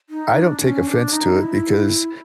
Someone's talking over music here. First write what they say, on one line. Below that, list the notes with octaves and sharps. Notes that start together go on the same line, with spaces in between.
I don't take offense to it because,
D#4
D4
C#4
D4
D#4
E4